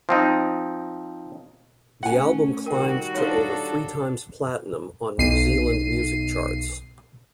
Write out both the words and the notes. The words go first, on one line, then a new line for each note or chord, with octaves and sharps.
The album climbed to over three times platinum on New Zealand music charts.
F3 C4 D#4
A3 C#4 F#5 G#5
D#3 G3 F#4 A#4 G5
D4 D#4 F4 A4 C#5
B1 C7 D#7